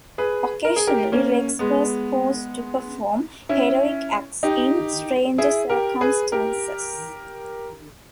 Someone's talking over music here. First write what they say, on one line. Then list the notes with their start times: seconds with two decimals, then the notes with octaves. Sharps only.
Occasionally Rex was forced to perform heroic acts in stranger circumstances.
0.18 G#4 B4
0.65 A#4
0.76 G#4
0.87 G4 A#4
1.12 A#3 C#4
1.59 G#3 B3
3.49 C#4 E4
4.43 D#4 G4
5.38 E4 G#4
5.70 G4 A#4
6.01 G#4 B4
6.32 G4 A#4